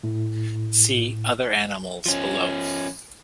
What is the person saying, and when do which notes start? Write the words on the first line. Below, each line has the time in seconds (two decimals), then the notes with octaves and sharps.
See "Other animals" below.
0.04 A2
2.06 F3 C#4